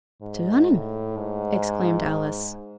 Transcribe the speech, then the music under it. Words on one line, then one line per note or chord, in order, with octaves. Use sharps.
'To Lunnon!' exclaimed Alice.
G#2
A2
G#2